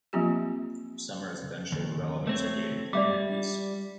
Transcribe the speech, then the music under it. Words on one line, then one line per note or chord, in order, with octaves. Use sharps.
Some residential developments are gated communities.
F3 F#3 A#3 C4 F4 G4
D#2
A3 C4 C#5
G3 D5 E5 D6